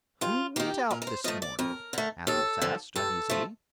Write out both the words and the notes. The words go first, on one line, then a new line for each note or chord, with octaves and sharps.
"Who went out this morning?" Athos asked, uneasily.
G2 F4
D#3 A#3 G4
A#2 A#4
A#4
C5
F3 A3 D#5
D5
F2 A#4
D3 A3
D#2 A4
D3 F3
G2 A4
F3 A3